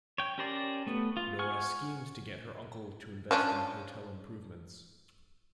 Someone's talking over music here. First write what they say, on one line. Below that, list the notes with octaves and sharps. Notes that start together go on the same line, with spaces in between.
Nora schemes to get her uncle to invest in hotel improvements.
C#5 G5
C#4 G4 A#4 C5 D5
A3 B3
F4
F#5 G#5 C#6 F6
F3 C#4 D4